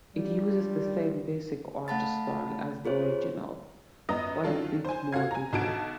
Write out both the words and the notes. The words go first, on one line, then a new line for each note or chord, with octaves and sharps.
It uses the same basic art style as the original, but with more detail.
G3 D4 F4 G4
A3 F5 F#5 A5 B5 A6
F4 G#4 C5 C#5
F#2 B3 D#5 A#5 D#6 A#6
D#3 F#3 C#4 D4 F4 A4
C5 G#5
F#4 A4 F5 G#6
G#5 A#5
B1 D3 F#4 A5 G#6 D7